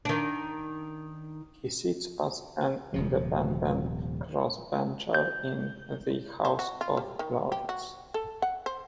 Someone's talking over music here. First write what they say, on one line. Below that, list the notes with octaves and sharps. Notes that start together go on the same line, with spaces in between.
He sits as an independent crossbencher in the House of Lords.
D#3 D4
D#1 C3 F3
G6
C5
F#4
F4
G3
D#3
G4
F#4
A4
F#5
C5